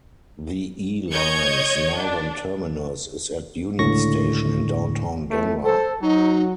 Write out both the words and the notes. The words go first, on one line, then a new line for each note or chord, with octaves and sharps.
The E Line's northern terminus is at Union Station in downtown Denver.
C#5 D#5 G6 G#6 C#7
D4
C#2 A2 D3 C#6 A#6
F2 A2 A3
A4 C5
F#3 D#4